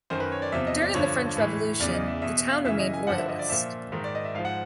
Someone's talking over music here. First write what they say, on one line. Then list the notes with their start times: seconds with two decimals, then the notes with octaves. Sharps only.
During the French Revolution the town remained Royalist.
0.10 F#2 D#3 C5
0.20 B4
0.32 C#5
0.42 D5
0.52 E2 C3 F3 E5
0.67 D#5
0.81 D5
0.94 G2 D3 F3 C#5
1.37 A2 E3
1.80 E2 C#3 E3 D5
1.95 D#5
2.08 E5
2.22 E2 B2 E5
2.37 E5
2.51 F5
2.65 F#2 C#3 E3 E5
2.80 D#5
2.94 G#5
3.07 G2 D3 F3 F#5
3.18 E5
3.28 D#5
3.39 D5
3.49 A#2 F3 E5
3.92 G#2 D#3
4.04 D5
4.15 D#5
4.25 E5
4.35 G#2 F5
4.39 F3
4.45 F#5